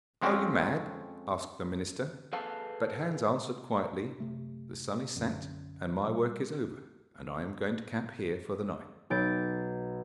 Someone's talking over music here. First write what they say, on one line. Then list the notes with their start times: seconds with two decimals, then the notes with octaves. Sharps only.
Are you mad?' asked the minister, but Hans answered quietly, 'The sun is set and my work is over, and I am going to camp here for the night.'
0.21 F2 G#3 C4 C#4
2.33 G#4 A4 B4 F5 A5
4.20 F#1 C3 A3
5.15 B1 F#2 D3
6.06 B2 G3
9.10 B1 G6 A6 D7